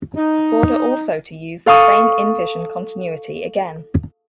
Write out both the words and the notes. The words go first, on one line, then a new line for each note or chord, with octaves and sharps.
Border also to use the same in-vision continuity again.
D#4
A4 F5 C#6 D#6